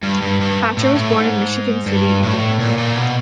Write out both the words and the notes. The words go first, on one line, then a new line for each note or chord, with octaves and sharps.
Hatcher was born in Michigan City, Indiana.
G2
G2
G2
A2
A2
G#2
G2
A2
A#2
A#2
B2